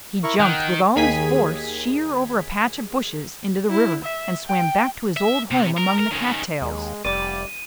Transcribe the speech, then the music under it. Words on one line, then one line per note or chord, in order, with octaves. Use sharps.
He jumped with all his force sheer over a patch of bushes into the river, and swam back to his old home among the cat-tails.
E4 A#4 C#6
D#3 F#5 G5
D#2 D#3 G#4 G#6 B6 D#7
E4
E5
G5
E5
C3
A#4
A#4
D#3 C#4
D#2 G#3
F1 G3 D5 D6 D#7